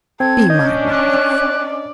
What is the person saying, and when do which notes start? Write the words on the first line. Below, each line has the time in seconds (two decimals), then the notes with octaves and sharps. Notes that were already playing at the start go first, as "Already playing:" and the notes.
Be my wife.
0.20 C4 A4 G#6
0.50 C#4 D4 D#5 G6
0.91 D5 F#6